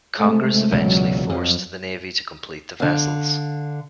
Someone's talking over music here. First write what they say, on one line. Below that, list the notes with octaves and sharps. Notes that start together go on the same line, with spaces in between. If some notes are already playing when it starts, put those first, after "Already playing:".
Congress eventually forced the Navy to complete the vessels.
C3 G#3 A3
E1 C#2 A#2 F#3
F2 F3
D3 F5